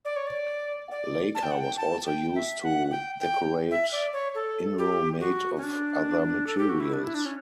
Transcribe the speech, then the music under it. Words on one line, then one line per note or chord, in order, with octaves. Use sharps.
Lacquer was also used to decorate inro made of other materials.
D5
C#5
D5
D5
A5
G5
F#5
G5
A5
G5
E5
F#5
G5
G5
E5
D5
C#5
A4
G4
F#4
C#4
D4
A4
G4
F#4
E4
D4
E4
D4
C#4